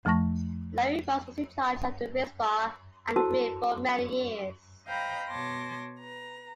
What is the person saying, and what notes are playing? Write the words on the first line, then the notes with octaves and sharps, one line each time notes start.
Laurie Ross was in charge of the Ritz Bar and Grill for many years.
F2 F3 A3 A5 C#6 A#6
E4 F#4 A4 C5 A5 E6
C5 D#5 F5 G5 A#5 B5
B2 C#5 A5 C6 D6 A#6
B4 A#5